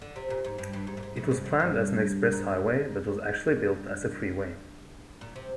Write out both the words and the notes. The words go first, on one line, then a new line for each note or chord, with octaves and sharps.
It was planned as an express highway but was actually built as a freeway.
D3
C3
A#2
G#2
G2
G2
G#2
A#2
G#2
F2
G2
F2
G2
G#2
G2
A#2
C3